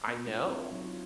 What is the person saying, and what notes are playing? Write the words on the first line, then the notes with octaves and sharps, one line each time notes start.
I know.
B3 C#4
G#3 D4 F4
C4 D4 E4 C#5 D#5
F#3 D#4 C#5
F4